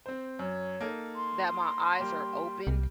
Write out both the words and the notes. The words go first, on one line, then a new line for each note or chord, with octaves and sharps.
that my eyes are opened,
C4 C5
F#2 C#5
A#3 D#4 A4
C6
G3 A#3 G4
C2